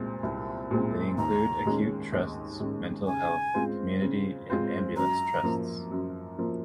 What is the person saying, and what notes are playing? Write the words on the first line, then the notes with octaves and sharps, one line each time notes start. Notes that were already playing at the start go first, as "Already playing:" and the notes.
They include acute trusts, mental health, community and ambulance trusts.
Already playing: C2 A#2 G#3 C4
C2
A#2 G#3 C4
D#2 A#5
D#3 G#3 C#4
D#2
D#3 G#3 C#4
C#3 G#5
G#3 C4 F4 C5
C#3
G#3 C4 F4 C5
F#2 A#5
F3 A#3
F#2
F3 A#3